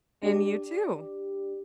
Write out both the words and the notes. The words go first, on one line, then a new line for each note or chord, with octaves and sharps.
And, you too.
D4 G4 D5